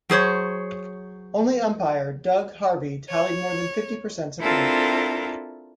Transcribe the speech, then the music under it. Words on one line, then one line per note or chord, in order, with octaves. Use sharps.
Only umpire Doug Harvey tallied more than fifty percent support.
F#3 G#4 C5 C#5
C#5
C4 D4 E4 F4 A4 A#4